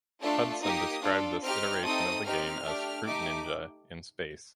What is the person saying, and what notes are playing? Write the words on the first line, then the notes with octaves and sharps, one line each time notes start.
Hudson described this iteration of the game as ""Fruit Ninja" in space".
A3 D4 F4 A4 A5
A#3 D#4 G4 D#6
D4 F4 A4
C4 D#4 G4 F6
A3 C4 D#4 A4 D#6
C4 D#4 G4 F6
A3 D4 G4
A3 D#4 G4 D6